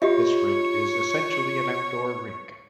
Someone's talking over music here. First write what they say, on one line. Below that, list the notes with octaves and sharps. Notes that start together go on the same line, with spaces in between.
This rink is essentially an outdoor rink.
F4 G4 C#5 D#5 E5